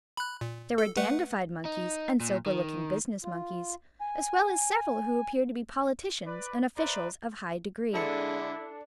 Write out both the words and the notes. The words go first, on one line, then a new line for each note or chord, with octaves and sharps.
There were dandified monkeys and sober-looking business monkeys, as well as several who appeared to be politicians and officials of high degree.
B5 F#6
A#2
A4
A3 B4 F#5
D#4
A#2
D#3
F4
G#5
B4 D5
B4 C5 D5 E5 A#5
D3 G#3 D4 E4 A4 A5 C#7